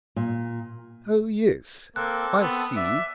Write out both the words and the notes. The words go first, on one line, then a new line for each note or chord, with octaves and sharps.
"Oh, yes, I see."
A#2
A#3 C4 A4 A5 F#6
B3
D5 E5